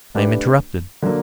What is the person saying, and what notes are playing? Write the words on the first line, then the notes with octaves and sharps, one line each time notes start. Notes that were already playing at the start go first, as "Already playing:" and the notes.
I am interrupted.
A3 D4 G4 B4
D3 F#3 A#3